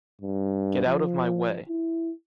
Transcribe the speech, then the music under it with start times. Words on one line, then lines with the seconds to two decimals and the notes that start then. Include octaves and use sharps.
Get out of my way.
0.21 G2
0.86 F3
1.68 E4